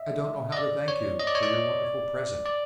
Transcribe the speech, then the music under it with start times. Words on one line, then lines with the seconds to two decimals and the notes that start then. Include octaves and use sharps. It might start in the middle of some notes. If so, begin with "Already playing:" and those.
I don't know how to thank you for your wonderful present.
Already playing: D#5 E5
0.52 D#5
0.57 D5
0.88 C#5
1.20 D#5
1.27 D5
1.35 C#5
1.43 D5
2.46 D5